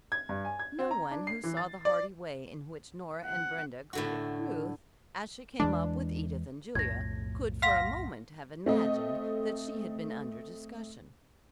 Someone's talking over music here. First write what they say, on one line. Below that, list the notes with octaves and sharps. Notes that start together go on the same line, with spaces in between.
No one who saw the hearty way in which Nora and Brenda greeted Ruth, as she came up with Edith and Julia, could for a moment have imagined that she had been under discussion.
G#6
G2
G#5
G#6
C4
A#5
D4
C7
E3
A6
D5
F#5
A2 D3 F#4
E2 E3 G#3 D4
B1 F2 A2 G#6 A#6
F5 F#5 C6 A#6 B6
A3 C4 D#5